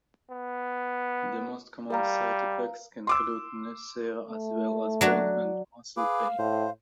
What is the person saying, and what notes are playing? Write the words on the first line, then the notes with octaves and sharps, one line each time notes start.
The most common side effects include nausea as well as bone and muscle pain.
B3
G3 A#4 F5 A#5
C6 D6 E6
A3
F#3 D4 F#4
G#4 B4 F5 D6
A2 C5